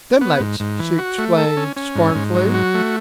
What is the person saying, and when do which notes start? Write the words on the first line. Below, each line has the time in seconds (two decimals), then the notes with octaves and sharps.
"Stim'lates," she explained scornfully.
0.21 B3
0.40 G#2
0.60 G#2
0.79 E3
0.98 F#4
1.18 A3
1.38 A4
1.57 C#4
1.76 C#4
1.95 G#2
2.15 G#2
2.34 F#3
2.54 F#4
2.74 A3